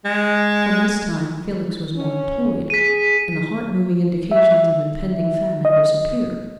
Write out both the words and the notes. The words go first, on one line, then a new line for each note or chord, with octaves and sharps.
From this time Felix was more employed, and the heart-moving indications of impending famine disappeared.
G#3
C#4
G#4 B6 D#7
E5
D#5